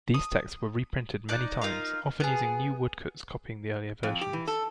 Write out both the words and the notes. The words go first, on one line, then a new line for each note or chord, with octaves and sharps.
These texts were reprinted many times, often using new woodcuts copying the earlier versions.
D#6
D#4 D5 F#6
D#4 F4 A#4 F5
B3 G#4
F2
G4
E3
A4